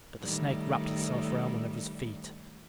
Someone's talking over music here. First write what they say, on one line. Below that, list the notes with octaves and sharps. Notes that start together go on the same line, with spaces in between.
But the snake wrapped itself around one of his feet.
A2 D#3 G3